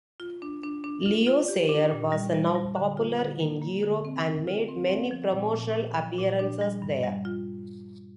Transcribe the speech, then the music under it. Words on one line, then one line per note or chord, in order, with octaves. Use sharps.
Leo Sayer was now popular in Europe and made many promotional appearances there.
F4
D4
D4
D4
F4
F4
G4
D4
A#2
G3
G3
G3
D3
F4
D3
A#3
A#3
D3
C4
A#4
F4
C4
C4
F3
A#2
A#2
A#2
F3
A#2
D4
G3
G2
G3
F4